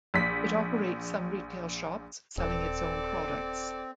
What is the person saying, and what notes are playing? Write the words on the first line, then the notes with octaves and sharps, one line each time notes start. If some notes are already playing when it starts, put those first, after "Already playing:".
It operates some retail shops selling its own products.
A#1 B6
D#1 C4 A4 D5